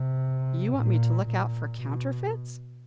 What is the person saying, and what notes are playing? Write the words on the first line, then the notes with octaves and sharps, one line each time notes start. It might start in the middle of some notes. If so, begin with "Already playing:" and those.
"You want me to look out for counterfeits?"
Already playing: C3
A#2
A#2
B2